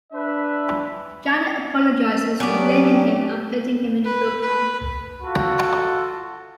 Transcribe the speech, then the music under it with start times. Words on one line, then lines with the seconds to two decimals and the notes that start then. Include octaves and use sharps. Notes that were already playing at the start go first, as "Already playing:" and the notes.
Janet apologizes for blaming him and putting him in the dog pound.
0.13 D4 B4 E5
2.40 F#3 B3 C#4 D4 G4 D5
4.04 B4
4.41 B4
5.23 F4 F#4 A4